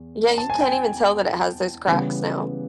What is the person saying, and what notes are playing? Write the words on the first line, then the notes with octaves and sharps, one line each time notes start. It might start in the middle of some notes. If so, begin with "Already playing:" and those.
Yeah, you can't even tell that it has those cracks now.
Already playing: E2
A5
G#5
G5
G#5
C#3 E3 G3 B3